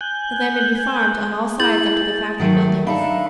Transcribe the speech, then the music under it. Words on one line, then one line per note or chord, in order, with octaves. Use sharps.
The land may be farmed on all sides up to the factory buildings.
G#5 F#6 G6
E4 G#4 G6 A6 F#7
D#3 F#3 A3
D4 D#4 A4 E5 F5 B5